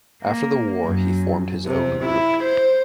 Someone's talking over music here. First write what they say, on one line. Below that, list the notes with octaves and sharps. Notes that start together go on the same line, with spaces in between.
After the war he formed his own group.
A#3
F#2
C3
E4
C5